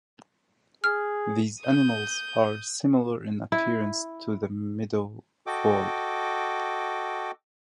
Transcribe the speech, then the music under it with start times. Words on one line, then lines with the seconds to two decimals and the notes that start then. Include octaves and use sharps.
These animals are similar in appearance to the meadow vole.
0.84 G#4 F6
1.61 D#6 G6
3.52 E4
5.47 F#4 A4 D#5 G5 D6